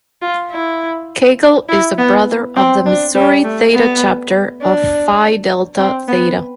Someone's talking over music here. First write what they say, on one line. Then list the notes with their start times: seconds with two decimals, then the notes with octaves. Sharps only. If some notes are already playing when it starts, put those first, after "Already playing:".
Cagle is a brother of the Missouri Theta Chapter of Phi Delta Theta.
0.22 F4
0.51 E4
1.69 E4
1.98 B3
2.56 C4
2.86 D4
3.15 G3
3.44 A3
3.74 B3
4.62 D4
5.78 C4
6.08 B3